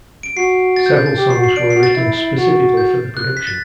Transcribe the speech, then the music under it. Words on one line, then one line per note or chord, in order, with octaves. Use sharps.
Several songs were written specifically for the production.
D7
F#4 C7
A6
G6
G6
A6
G4
C7
F#4
C7
D4 D7
C7
F#4
A6
E4
E4
F#4
G6
F#6
B6
A6